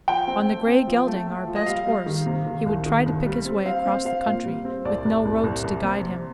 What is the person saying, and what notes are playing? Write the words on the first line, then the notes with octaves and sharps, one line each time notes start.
On the gray gelding, our best horse, he would try to pick his way across the country with no roads to guide him.
F3 G5
C4
A3
C4
F3
A3
A3
F3
D#5
G3 F5
G3
D#3
C3
D#3
C2
D#3
C2
G3
C4
C4 F5
C4
C4 F5
A#2
G3
C4
C2 D5
C2
C2
C2
C2
C3
C3